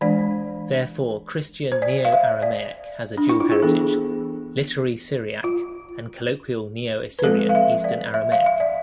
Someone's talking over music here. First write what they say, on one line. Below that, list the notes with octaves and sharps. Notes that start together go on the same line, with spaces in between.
Therefore, Christian Neo-Aramaic has a dual heritage: literary Syriac and colloquial Neo-Assyrian Eastern Aramaic.
E3 G#3 D4 D5
C5
D5
F5
E5
D5
D4
E4
F4
G#4
E3 B3 D4 A4
F4
B4
F3 G#3 C4 A4
F5
E5
D5
E5
F5
E5
D5